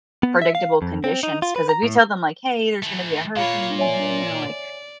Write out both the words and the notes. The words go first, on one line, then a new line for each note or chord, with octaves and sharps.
predictable conditions 'cause if you tell them, like, hey, there's gonna be a hurricane here, you know, like,
B3
E5
F5
F2
C4
D#4
F4
B4
A#5
A2
E3 A3
A#2 F4 C#5 F5 B5
C#5 D5 E5 G#5